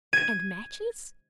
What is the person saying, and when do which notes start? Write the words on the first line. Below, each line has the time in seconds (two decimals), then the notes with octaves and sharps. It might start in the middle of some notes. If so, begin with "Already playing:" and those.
"And matches?"
0.13 G#6 D#7